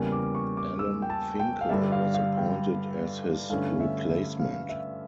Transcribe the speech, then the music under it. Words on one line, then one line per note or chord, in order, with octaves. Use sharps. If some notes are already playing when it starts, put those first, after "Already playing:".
Alan Finkel was appointed as his replacement.
Already playing: E2 C#3 G3 A#3
D6
C#6
D6
E6
G5
A5
G5
F5
G2 D3 G3 D4 E5
F5
F5
G5
G2 D3 A3 C#4 F5
E5
E5
F5
E5